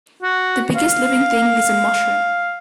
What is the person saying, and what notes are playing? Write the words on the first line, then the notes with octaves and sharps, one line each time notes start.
The biggest living thing is a mushroom.
F#4
F5